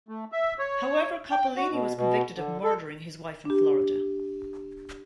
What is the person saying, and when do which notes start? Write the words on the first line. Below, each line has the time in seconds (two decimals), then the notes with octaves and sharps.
However, Coppolino was convicted of murdering his wife in Florida.
0.08 A3
0.32 E5
0.59 C#5
1.32 G5
1.56 F#4
1.71 B2
1.97 B2
2.36 D3
2.64 A4
3.45 D4 G4